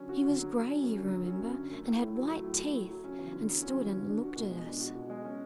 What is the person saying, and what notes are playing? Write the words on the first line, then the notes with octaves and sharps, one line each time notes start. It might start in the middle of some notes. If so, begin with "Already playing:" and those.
"He was gray, you remember, and had white teeth, and stood and looked at us..."
Already playing: D3 F#3 C#4
F#4
D3
F#3
F#3
C#4
F#2
D3
F#3
C#4
F#2
D3
A3
A2
A2
F#3
A3
A2
A2
F#3
F#3
C#4
E2
D3
F#3
C#4
E2
D3
D4
F#4
B2
G#3
D4
F#4
B2
G#3
C#4